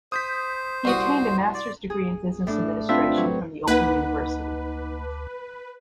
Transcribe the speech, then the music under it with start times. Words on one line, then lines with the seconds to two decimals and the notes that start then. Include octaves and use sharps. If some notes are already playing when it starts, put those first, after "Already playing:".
He attained a master's degree in business administration from the Open University.
0.12 C5 D#6 G6 B6
0.85 C2 F#4 C6 D#6
1.54 D5
1.90 G#4
2.47 A2 D4
2.89 C4 D4 F4 B4 E5
3.17 F#3
3.68 D2 A#3 D#4 B4 D#5 F#5